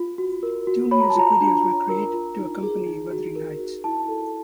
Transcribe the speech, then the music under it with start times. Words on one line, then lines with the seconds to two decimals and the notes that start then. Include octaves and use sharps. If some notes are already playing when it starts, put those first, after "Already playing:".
Two music videos were created to accompany "Wuthering Heights".
Already playing: F4
0.18 F#4
0.43 A#4
0.67 F#4
0.91 C#5 B5
1.01 A#5
1.10 A5
1.16 F4 A#5
1.41 D4
1.65 F4
1.89 A#4
2.13 F4
2.38 D#4
2.63 G#4
2.86 D#4
3.11 F#4
3.36 A#4
3.60 F#4
3.84 E4 A5
4.09 A4